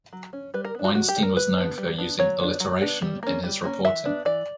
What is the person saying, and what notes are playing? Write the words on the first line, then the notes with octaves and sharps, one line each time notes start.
Weinstein was known for using alliteration in his reporting.
F#3
C#4
G3 B4
A#4
B3 D4
F#4
G3 F#4
G4
D4
B3 A#4
G3 B4
B3 D4
G3
B3 D4
F#3 C#5
B3 D4
F#3
B3 D4
G3
A#3 C#4
G3
A#3 C#4
E3 E5
B3 D4
E3 D5